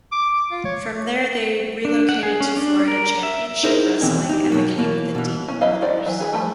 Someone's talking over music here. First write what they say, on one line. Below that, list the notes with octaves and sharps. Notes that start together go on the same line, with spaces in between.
From there they relocated to Florida Championship Wrestling and became The Deaton Brothers.
D6
F4
C#5
D4
F#5
G#4
C#4
D4
A#4
E5
D#4 E4 G#4 A#4 C5 D#5
D#2 B2 E3 C4 D#5 G#5
D#4 G4
B2 F#3 A#3
B2 E3 A#3
B2 E3
C#4
F#3 E4 D#5 F5
C5 D5
E3 F#3
E3 F#3 G#4
F3 G3 A3